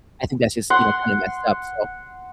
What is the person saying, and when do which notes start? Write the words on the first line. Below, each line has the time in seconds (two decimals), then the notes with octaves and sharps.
I think that's just, you know, kind of messed up, So,
0.70 F#5 C6